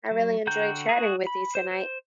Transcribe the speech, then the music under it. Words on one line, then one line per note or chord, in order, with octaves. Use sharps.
I really enjoyed chatting with you tonight.
F#3
D3 F#4 G5 A#5 G6
F#4 G#4
B5
C5
C5